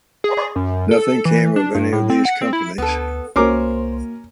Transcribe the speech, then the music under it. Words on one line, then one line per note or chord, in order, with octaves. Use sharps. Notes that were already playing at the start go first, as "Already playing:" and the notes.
Nothing came of any of these companies.
G#4
F#2
A4
E3
D4
G2
A2
C4
F#5
C4
E4
D2 B3 A4
C2 A#3 C#4 F#4 A#4 C5 D6